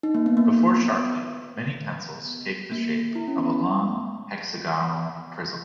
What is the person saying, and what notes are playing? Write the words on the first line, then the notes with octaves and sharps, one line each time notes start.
Before sharpening, many pencils take the shape of a long hexagonal prism.
D#4
A#3
B3
A#3
B3
A#3
E4
C#4
B3